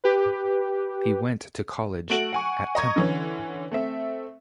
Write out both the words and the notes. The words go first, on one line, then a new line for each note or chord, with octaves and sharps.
He went to college at Temple.
G4 B4
A3 F#4 D7 F#7
F#5 G#5 C#6
D#5 A#5 C#6 G#6
D3 E3 C#4
A3 C4 E5